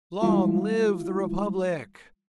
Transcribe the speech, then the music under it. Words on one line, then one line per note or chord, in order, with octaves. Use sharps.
"Long live the Republic!"
E3 G3 G#3 E4 F4